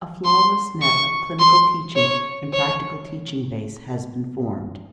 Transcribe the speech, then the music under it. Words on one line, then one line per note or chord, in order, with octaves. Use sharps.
A flawless net of clinical teaching and practical teaching base has been formed.
C6
C#6
C6
C#5
C#5